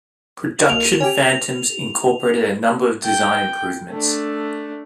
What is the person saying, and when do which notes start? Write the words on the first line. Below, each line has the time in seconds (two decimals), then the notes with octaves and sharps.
Production Phantoms incorporated a number of design improvements.
0.69 B1 A#3 F7
1.00 C#4 G4
3.04 G5
3.91 A3 D4